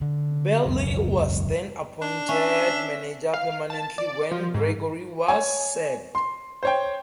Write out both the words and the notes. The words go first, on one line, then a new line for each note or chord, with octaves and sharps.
Burley was then appointed manager permanently when Gregory was sacked.
D3
E1 C#2 F#2
D4
C#4 E5
F5
A5
D5
F3
G#2
C#5 G#5
C6
C5 C#5 G5